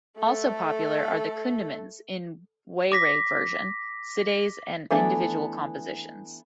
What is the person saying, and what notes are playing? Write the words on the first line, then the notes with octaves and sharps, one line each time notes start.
Also popular are the kundimans in Waray version, sidays and individual compositions.
A3 A4
D6 A#6 B6
E3 A3 B3 D4 A4